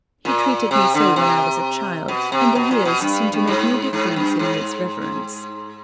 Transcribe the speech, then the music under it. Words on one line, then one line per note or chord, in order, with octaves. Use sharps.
He treated me so when I was a child, and the years seem to make no difference in his Reverence.
A#2
C3
D3
C3
B2
C3
B2
A#2
B2
G2
G2
G#2
G#2
G2
G#2